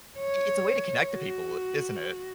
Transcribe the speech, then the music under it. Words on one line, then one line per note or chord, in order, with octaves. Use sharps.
i it's a way to connect to people, isn't it?
C#5
F#4